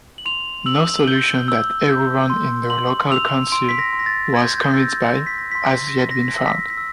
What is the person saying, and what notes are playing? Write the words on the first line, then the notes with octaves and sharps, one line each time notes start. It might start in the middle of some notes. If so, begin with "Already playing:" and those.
No solution that everyone in the local council was convinced by has yet been found.
F#7
C6 F7
E6 F#7
F#7
G6 G7
E6
G6
C6
C6 F#7
E6 F7
C6 D7
B6
A#6
C6
A#6
A6
C6 G#6
G6
G6
E6 A6
A#6
A6
C6 A#6
B6
A#6
C6 B6
A#6
B6
A#6
C6 B6
A#6
B6
E6 A#6
B6
A#6
B6
E6